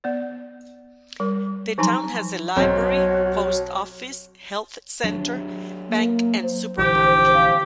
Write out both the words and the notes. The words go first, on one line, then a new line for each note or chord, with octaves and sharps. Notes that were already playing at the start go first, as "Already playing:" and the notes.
The town has a library, post office, health centre, bank and supermarket.
B3 D5
G3 A#4
F3 F#3 D#4 G#5 A#5 C6
B1 C4 F#4 C#5
F#3 D4
A#3
C5
A#1 D3 E3 G4
F5